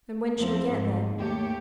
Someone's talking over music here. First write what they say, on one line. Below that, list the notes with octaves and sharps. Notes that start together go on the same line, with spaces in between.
"And when shall we get there?"
E2 F3 A3 C4
G#2
D#2 A3 G4 C#5